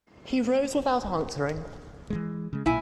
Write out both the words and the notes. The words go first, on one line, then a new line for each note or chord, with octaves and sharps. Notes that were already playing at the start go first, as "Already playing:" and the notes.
He rose without answering.
E3 G#3
C#3 G#3
B1 A#2 E4 G#5